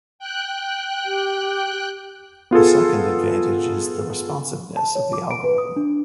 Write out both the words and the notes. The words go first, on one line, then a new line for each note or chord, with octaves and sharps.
A second advantage is the responsiveness of the algorithm.
G5 F#6
G4
B3 F4 G#4 A4
A5
C#5
D6
D7
B4
D#6
D4